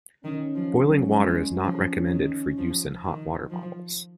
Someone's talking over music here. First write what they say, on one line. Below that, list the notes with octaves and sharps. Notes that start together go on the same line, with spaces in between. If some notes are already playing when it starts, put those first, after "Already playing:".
Boiling water is not recommended for use in hot water bottles.
D#3 C#4
F3
F#3
G#3
F3
D#3
F3
D#3
F3